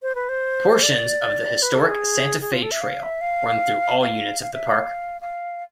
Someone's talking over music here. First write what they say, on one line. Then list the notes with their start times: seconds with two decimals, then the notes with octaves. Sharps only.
Portions of the historic Santa Fe Trail run through all units of the park.
0.02 C5
0.15 B4
0.29 C5
0.83 D5
1.62 B4
1.75 A4
1.89 G#4
2.41 G#4
2.52 F4
2.62 A4
2.71 E5
2.81 F5
3.02 E5
3.21 F5
4.01 F5
4.42 F5
4.54 E5
4.67 F5
5.21 F5